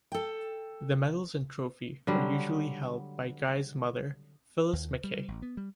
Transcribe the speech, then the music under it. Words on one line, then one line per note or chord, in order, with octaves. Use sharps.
The medals and trophy are usually held by Guy's mother Phyllis Mackay.
A4 G5
D3 F#3 G3
D#2
G3
A1
B3
G3